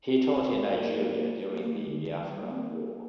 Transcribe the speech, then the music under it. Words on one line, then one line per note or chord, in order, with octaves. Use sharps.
He taught in Nigeria during the Biafra War.
C4
A#3
A#3
A#3
G#3
D3
D#3
D3
D#3
F3
G3
A#3
C4
A#3